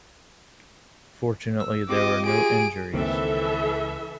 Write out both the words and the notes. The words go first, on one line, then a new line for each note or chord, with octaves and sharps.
Fortunately, there were no injuries.
E6
C4 F4 G4 D#5 D6
F4 G4 G#4 D7
C#2 D#3 E3 A#3 C4 A4 E5